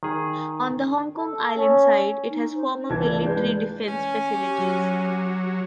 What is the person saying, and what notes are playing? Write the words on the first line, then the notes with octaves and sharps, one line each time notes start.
On the Hong Kong Island side, it has former military defence facilities.
D#3 G#4
A4
C#4
D#4
C5
C#2 E3 F4 A5 G#6
D5
E3 G#3 B4 G6
C#4
G4 C#5
F#3
G4